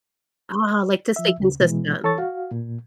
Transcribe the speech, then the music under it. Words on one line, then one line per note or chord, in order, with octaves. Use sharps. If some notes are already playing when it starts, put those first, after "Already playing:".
Ah, like, to stay consistent.
F3 E5
D2 C#3
B2 E3 G#3
E3 A4 C#5 C#6 A6
F#4 F5
A#2